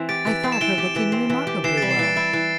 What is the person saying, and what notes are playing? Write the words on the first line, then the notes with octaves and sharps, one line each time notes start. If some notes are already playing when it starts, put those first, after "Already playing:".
'I thought her looking remarkably well.
Already playing: E3 C4
G4 A6 D7
E3
C4
E7
E3 D7 G7
G4
E3
C4
E3
G4
E3 C7 E7
G3 A6 D7
C7 E7
E3 A6 D7
E4 A6 D7
E3